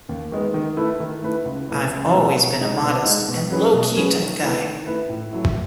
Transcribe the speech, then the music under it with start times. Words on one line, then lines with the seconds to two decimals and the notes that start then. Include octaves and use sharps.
I've always been a modest and low-key type guy.
0.09 D#2
0.32 D#3 G#3 B3
0.54 D#3
0.77 A3 E4 B4
1.00 D#3
1.22 A3 E4 B4
1.45 C#2
1.69 B2 A3 E4 B4
1.91 C#2
2.13 B2 A3 E4 B4
2.36 B2
2.59 G#3 D#4
2.82 B2
3.05 G#3 D#4
3.28 B2
3.50 F#3 C#4 G#4 B4
3.73 B2
3.95 F#3 C#4 G#4 B4
4.18 D#3
4.41 A3 E4 B4
4.64 D#3
4.87 A3 E4 B4
5.09 A2
5.33 F#3 A3 E4